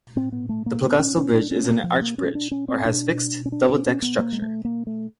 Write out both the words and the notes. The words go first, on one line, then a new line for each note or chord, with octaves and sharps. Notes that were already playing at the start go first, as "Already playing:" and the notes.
The Plougastel Bridge is an arch bridge, or has a fixed, double deck structure.
A2 C4
B3
A3
A#3
B3
C#4
C#4
D4
C#4
F3
A#3
C#4
D4
C#4
C4
B2 D4
C#4
D4
C#4
C#4
B3
A#3
G#3
A3
A#3
A3